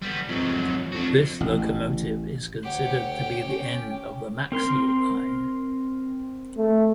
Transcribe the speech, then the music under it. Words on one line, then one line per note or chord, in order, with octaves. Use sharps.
This locomotive is considered to be the end of the Maxi line.
G3 B3
F2 G#2 F#3
F2 D4 F#4
A1
D2 G4 C#5 F#5
C#4 G5
C4 A#4 C6
A3